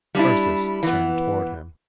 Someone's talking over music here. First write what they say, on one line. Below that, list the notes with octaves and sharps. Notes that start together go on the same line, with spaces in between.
Ursus turned towards him.
G3 D4 E4
E3 B3